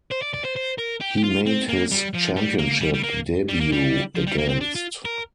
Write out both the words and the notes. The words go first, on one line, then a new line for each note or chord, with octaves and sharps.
He made his championship debut against.
C5
D5
D5
C5
C5
A#4
G4
G4
F4
C4
A#3
G3
F3
G3
A#3
G3
G3
A#3
G3
A#3
G3
F3
G3
A#3
C4
D4
F4
A#4